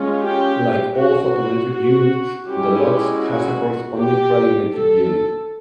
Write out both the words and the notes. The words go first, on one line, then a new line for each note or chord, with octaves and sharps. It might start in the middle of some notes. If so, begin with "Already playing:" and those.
Like all photometric units, the lux has a corresponding "radiometric" unit.
Already playing: G#3 C#4 F4
G4
F#4
F#4
F#4
G#3 C#4 E4 G4
F#4
G4
A4